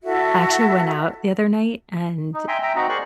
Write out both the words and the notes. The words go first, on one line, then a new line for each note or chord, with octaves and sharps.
actually went out the other night, and
E4 F#4 A4 E5
D#4
E5 G5 G#5 A#5 C6
E5 G5 A#5
C4 D#4 F#4 A#5
G#4 A#4 C5 D5 C#6 F#6